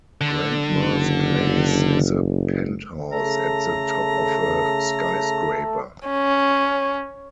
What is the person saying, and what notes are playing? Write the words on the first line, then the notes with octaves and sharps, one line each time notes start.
Grandma's place is a penthouse at the top of a skyscraper.
D3
F#1
C#3 A3 A4 A#5
C#4